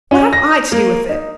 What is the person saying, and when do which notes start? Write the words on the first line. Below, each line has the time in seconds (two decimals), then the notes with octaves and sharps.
What have I to do with it?
0.11 C#4
0.33 A#6
0.72 A#3
1.09 D#4